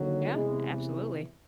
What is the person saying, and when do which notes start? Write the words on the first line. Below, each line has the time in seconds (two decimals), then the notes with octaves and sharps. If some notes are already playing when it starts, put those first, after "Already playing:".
Yeah, absolutely.
Already playing: D#2 D3 F#3
0.32 E2 C3 E3 G#3